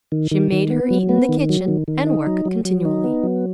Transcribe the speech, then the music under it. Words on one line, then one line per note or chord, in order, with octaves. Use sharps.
She made her eat in the kitchen, and work continually.
D#3
D#3
D#3
B3
F#3
B3
D#3
F#3
D#3
D#3
D#4
F#3
F#3
F#3
D#4
B3
F#3